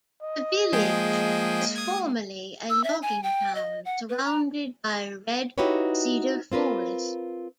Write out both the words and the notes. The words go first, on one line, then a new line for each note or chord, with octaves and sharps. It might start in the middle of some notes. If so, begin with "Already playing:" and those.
The village was formerly a logging town, surrounded by red cedar forest.
D#5
F3 G#3 A#3 G#4 G5
D#6 G#6
E6
E5
G#5
G5
D#5
F#5
B4
A#5
D#4 E4 F#4 G4 B4 C#5
C4 F4 A#4 B4